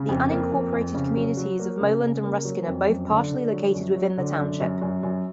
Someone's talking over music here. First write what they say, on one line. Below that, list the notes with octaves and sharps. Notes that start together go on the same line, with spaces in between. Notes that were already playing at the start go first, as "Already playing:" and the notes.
The unincorporated communities of Moland and Ruskin are both partially located within the township.
Already playing: C#3
F2
A#3
F2
F2
C#3
F#3
F#3
A#3
C#3
C#3
A#3
F#3
F2
F#2
D3
D3
F#3
F#2
F#3
D3
F#2
F#2
F#2
F#2